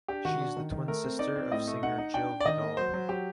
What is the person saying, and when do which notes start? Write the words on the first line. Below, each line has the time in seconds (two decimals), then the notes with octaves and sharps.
She is the twin sister of singer Jill Vidal.
0.08 D4 G4
0.25 D#3 F#4
0.41 D4
0.57 D#3
0.72 D#3
0.88 A3 A#4
1.04 C4
1.19 D#4 D5
1.36 C4
1.51 A2 D#5
1.67 A3
1.83 D#4 F#5
1.98 D#4
2.14 D4 G5
2.30 D4
2.40 D5
2.45 D#3 D#5
2.62 A#3
2.77 F#3 C5
2.94 F#3
3.09 F#3 G4